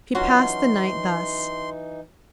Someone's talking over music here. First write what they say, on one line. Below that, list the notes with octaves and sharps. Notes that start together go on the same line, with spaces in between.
She passed the night thus.
E3 F#3 C#4 D#4 F4 F#4 C6